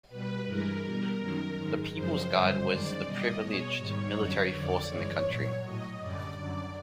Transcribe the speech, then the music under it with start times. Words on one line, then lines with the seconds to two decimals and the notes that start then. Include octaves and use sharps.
The People's Guard was the privileged military force in the country.
0.08 B2 G3 B4
0.45 G2 E3 G#3 A#4
0.82 B2 G3 A#4
1.19 F#2 D#3 F#3 A#4
1.56 G#2 D#3 G#3
1.93 F#2 C#3 F3 G#3 C5
2.30 G2 D3 G3
2.66 F#2 D#3 G#3 D5
3.04 B2 G3 D#5
3.40 B2 G#3 C#5
3.77 G#2 D#3 G3 C#5
4.15 F#2 D3 F#3
4.52 F2 D3 F3 D5
4.88 G2 E3 G#3 C#5
5.25 A#2 F#3
5.62 A2 F#3 D#5
5.99 F#2 D3 G3 D5
6.37 F#2 D3 F#3